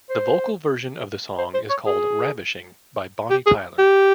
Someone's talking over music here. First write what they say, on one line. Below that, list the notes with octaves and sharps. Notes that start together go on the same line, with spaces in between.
The vocal version of the song is called "Ravishing" by Bonnie Tyler.
C5
C5
C5
C#5
G#4
G4
G#4
G4